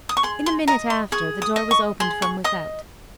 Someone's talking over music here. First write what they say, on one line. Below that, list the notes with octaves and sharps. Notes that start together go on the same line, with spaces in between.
In a minute after, the door was opened from without.
D#6
C#6
G#4 C6
C6
D#5 A#5
C6
G#4 C#6
D#6
D#5
C#6
G#4 C6
C#6
D#5 D#6